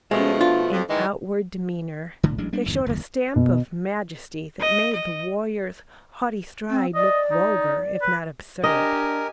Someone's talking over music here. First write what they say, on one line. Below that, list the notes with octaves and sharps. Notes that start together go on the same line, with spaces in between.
Even in outward demeanour they showed a stamp of majesty that made the warrior's haughty stride look vulgar, if not absurd.
B2 F3 G#3 A3
F4
F2
D#3 E3 G#3
D#1 B1 A2 D3
A1 F#3 G#3 D4
G3 A#3 D4
G1 E2 G2 D#3
F#1 D#2
B2
D#5
D#5
C4
D5 D#5
D#4
B4
D4 G4 A#4 D#5 G#5